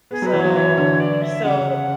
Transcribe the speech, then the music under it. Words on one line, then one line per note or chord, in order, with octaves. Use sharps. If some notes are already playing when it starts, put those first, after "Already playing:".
So, so
B3 G#4
F#3 B4
E3
F#3 C#5
E3 C#5
D3
D5
E5
C#3 F#5